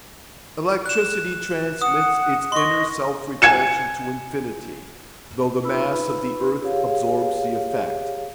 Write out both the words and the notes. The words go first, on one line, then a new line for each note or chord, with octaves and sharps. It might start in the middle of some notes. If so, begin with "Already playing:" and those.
Electricity transmits its inner self-repulsion to infinity, though the mass of the earth absorbs the effect.
F#6 E7
F#5 D#6
D#5 C6 C#6
G#5 G#6 C#7 E7
D#4 F4 B4 B5 E6
G4 G#4 C#5 F5